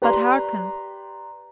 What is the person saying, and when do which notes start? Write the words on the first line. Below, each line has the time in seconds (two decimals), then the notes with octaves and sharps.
But hearken!
0.02 G4 B4 D5 A#5 C6